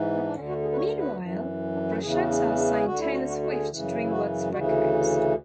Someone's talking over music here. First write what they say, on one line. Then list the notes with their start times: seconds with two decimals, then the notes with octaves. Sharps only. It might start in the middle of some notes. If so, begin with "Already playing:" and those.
Meanwhile, Borchetta signed Taylor Swift to DreamWorks Records.
Already playing: G#2 E3
0.14 B3
0.24 D4
0.34 D2 D3 C#4
0.49 F#4
0.62 G#4
0.72 B4
0.77 C#5
0.97 B4
1.18 F#2 E3
1.74 D4
1.88 E4
2.02 E2 C#3 E3 G#4
2.16 F#4
2.29 D4
2.44 D4
2.57 D4
2.71 G#4
2.85 D2 D3 F#4
2.98 E4
3.12 F#4
3.27 F#4
3.43 F#4
3.48 G#4
3.69 F#2 C#3 E3
4.04 E4
4.10 F#4
4.52 D2 C#3 E3 F#4